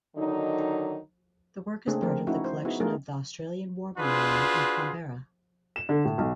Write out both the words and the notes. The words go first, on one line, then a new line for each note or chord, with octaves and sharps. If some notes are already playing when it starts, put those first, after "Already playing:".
The work is part of the collection of the Australian War Memorial in Canberra.
D3 D#3 F#3 D#4
C#3 A3 A#3 C4 D4 G#4
F3 A3 C4 A#4
C#4 D#4 E4 F#4
C5
B3 D#4 E4 F#4 G#4
A3 D4 F4 G#4 A#4
D4 F4 F#4 G#4 B4 C5
E7
D3
A2
B1